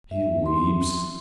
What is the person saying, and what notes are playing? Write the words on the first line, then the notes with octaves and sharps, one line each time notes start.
He weeps.
E5
C6